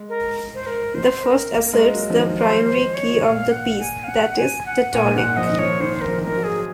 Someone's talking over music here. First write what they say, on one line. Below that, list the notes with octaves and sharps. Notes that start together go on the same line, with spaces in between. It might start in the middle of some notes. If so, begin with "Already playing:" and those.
The first asserts the primary key of the piece, that is, the tonic.
Already playing: G#3
A#4
C5
A#4
C5
A#4
A#3
G#3
F#3
F3
D#3
C5
C5
C#5
A#2 F5
F#5
G#5
F5
F#5
G#5
F#5
A#2 G#5
G#2 F#5
F3 D#5
D#3
F3 C#5
D#3 C5
C5
A#4
F3
D#3
F3 A#4
F#3
G#4